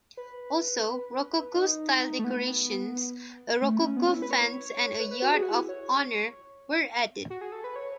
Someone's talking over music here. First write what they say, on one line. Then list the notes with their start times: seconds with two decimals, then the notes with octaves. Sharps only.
Also, Rococo style decorations, a Rococo fence and a yard of honour were added.
0.17 B4
1.55 D#4
2.19 A3
2.24 B3
3.62 A3
3.79 C#4
3.97 B3
4.05 C#4
4.14 E4
4.22 B4
4.31 C#5
5.00 B4
5.11 B4
5.22 F#4
5.34 G#4
5.42 F#4
5.51 E4
5.69 C#5
7.30 F#4
7.41 G#4
7.52 A4
7.64 B4
7.76 C#5